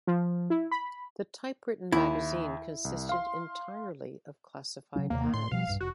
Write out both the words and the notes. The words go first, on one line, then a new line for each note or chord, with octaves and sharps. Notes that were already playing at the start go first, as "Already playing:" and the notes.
The typewritten magazine consisted entirely of classified ads.
F3
E4
B5
D#2 E4
C2
F5 C6
C#3 F#3 C#4
D#2 C3 A#3
A2 C6
B2 F3 G3 F5
B1 G2
F1 F#4